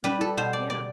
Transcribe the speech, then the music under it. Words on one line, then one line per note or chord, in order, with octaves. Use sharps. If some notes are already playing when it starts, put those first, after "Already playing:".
Mhm. Yeah.
G3 B4
A4
B2 C5
D5
D5